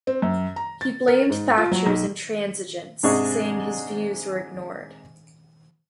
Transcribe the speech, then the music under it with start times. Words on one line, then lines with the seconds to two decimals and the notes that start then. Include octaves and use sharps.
He blamed Thatcher's intransigence, saying his views were ignored.
0.07 C4
0.22 F#2
0.56 A#5
0.81 A6
1.08 A#4
1.30 G#2
1.58 F4
1.71 F#3
1.86 B1
3.03 G#2 C3 D4 G#4 D#5 C#6